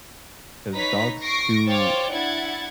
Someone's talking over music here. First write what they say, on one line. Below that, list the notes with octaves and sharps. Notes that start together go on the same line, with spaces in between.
'cause dogs do
D#4 B4 C#5 A#5 B6
C#6 A#6 C7 D7
C5 C#5 F5 G5 D6 A6
D4 E4 F#5 G#6 A6